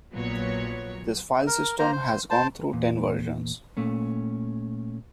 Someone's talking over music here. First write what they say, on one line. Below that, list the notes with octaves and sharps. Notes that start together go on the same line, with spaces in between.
This file system has gone through ten versions.
A#1 A#2 F#3 B3 C#5
A#4
A#3 C5 A#5
C5
C5 A5
E2 A#2
A#2 A3 C#4